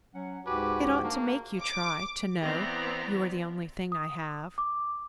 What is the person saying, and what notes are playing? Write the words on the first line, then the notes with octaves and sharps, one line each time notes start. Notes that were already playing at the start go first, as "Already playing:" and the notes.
It ought to make you try, to know you are the only thing I have.
F#3 C#4 F#5
C#2 G#2 F#4 G4 B4 G#5 D6
A#3 D4
D6
E3 B3 C4 D5 A#5
D#6
D6